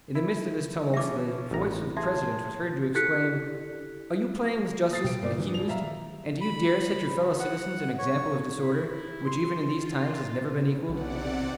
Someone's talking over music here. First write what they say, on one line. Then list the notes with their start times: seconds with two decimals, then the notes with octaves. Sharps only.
In the midst of this tumult the voice of the president was heard to exclaim,--"Are you playing with justice, accused, and do you dare set your fellow-citizens an example of disorder which even in these times has never been equalled?"
0.15 E4
0.94 E3 F3 C#4 E5 D6
1.51 A1 A#5
1.97 G#4 E5 A5 C6 G#6
2.95 E4 G4 A4 F#6 B6 C#7
4.91 D#6 A6 C7
5.04 B2 G4 D7
5.23 G2 A#2 D5 D6
5.38 G2 D#3 E3 F#3
5.53 D#1 F7
5.69 E5 F5 A#5
6.41 B5
7.40 F#5
7.99 C#5
8.59 E4
9.25 C6
9.81 F4
10.89 B1 C3 D5 F#5